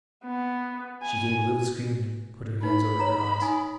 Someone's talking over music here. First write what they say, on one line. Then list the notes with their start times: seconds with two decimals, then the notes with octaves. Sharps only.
She gave a little scream, and put her hands over her eyes.
0.25 B3
1.03 G#5
2.63 D#4 B4 B5
3.00 C#5 A#5
3.42 D#4 G#5 D#6